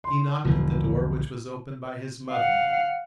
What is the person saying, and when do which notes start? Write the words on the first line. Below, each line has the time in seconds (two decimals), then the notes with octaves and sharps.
He knocked at the door which was opened by his mother.
0.04 C6
0.45 E1 B1 D3 F3
2.30 F5 F#5